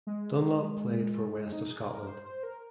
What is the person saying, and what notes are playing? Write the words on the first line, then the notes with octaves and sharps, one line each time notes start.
Dunlop played for West of Scotland.
G#3
D#4
G#4
A#4
A#4
C5
C5
A#4